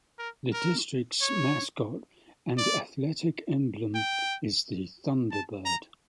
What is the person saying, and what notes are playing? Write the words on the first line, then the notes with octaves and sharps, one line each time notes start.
The district's mascot and athletic emblem is the Thunderbird.
A#4
A#4
C#5
D5
G5
A5
A#5